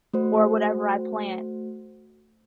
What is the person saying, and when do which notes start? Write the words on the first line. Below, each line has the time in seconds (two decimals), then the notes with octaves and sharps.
for whatever I plant
0.14 A3 F#4 C5